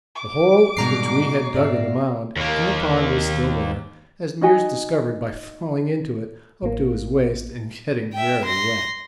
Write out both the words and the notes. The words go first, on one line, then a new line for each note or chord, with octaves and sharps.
The hole which we had dug in the mound in the pond was still there, as Meares discovered by falling into it up to his waist and getting very wet.
D6
G#2 B2 D#3 G3 G#3 D4 A#5 C7
G#2 F4 D5 E5
D#2 A#3
D#4 F#4 D#5 G#5
A1 A#3
E5 G5
C6 A#6